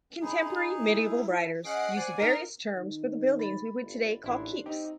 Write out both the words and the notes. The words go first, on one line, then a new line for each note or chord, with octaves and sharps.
Contemporary medieval writers used various terms for the buildings we would today call keeps.
D#4 G#4 B5
E4
C#4 G#4 D#5 F#5 C7 D7
C5 D5 G#5
D#4 A#4 A#5
D#3
B5 A6
G1
A1 D#2 D4 E4 C6
C4 D#4 G4